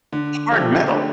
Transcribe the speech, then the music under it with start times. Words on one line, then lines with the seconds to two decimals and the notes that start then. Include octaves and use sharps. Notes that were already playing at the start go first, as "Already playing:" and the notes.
hard metal.
0.13 D3
0.51 F3 A3 D4 G4
0.89 D3